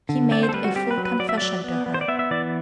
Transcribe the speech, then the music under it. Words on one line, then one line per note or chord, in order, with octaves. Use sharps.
He made a full confession to her.
D3
C4 D5
C5
A4
G3 B4
F#4
C4 G4
B4
F#3
B4
F#3 D5
E5
F#3 D5
B3
B3
C5
D5
B3 E5
E5
E3 D5